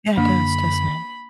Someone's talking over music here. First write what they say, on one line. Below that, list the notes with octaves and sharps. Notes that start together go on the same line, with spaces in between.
Yeah, it does, doesn't it?
F#2 D3 A#3 D4 B5